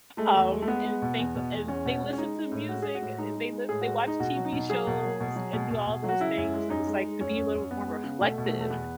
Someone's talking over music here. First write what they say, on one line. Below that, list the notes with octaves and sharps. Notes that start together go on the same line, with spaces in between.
um, and think a and they listen to music, eh, they live they watch TV shows and do all those things, and it's, like, to be a little more reflective
G#3 A3
E2
G#3
A3
G#3 B3
G#3
B2
E2
B2
E2
E2 C#4
B2
G#3
C#4
G#3 D#4
G#3
A2
G#3 F#4
G#3 G#4
F#4
A2
G#3 D#4
G#3
G#3
A2 G#4
F#4
G#3
G#3 D#4
B2 F#4
F#3
D#4
B2
F#3 G#4
B2
F#3
B2
F#3
B2
B2
B2
F#3 F#4
C#3 E4
F#2
G#3
F#2 D#4
G#3
G#3
F#2 C#4
F#2
F#2
F#2 B3
G#3
C#3
B2 A3
B2
A3
E2
A3
E2 B3